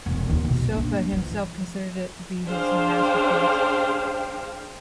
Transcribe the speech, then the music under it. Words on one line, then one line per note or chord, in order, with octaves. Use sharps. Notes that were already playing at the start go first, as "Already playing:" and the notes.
Sofa himself considered it to be his masterpiece.
E1 C4
D#2 D3
B1 B2
A#3 D4
E3 F3
D4 G#4 C5 F5 G5